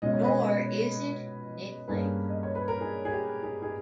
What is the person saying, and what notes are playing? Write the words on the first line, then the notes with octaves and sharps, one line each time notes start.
Nor is it niggling.
B2 G#3 C#4 D#5
C#5
B4 D#5
G2 G3 A#3 C#4 G#4 B4
D#5
C#5
B4
A#4
G#4
G#4
G4
G#4
G#4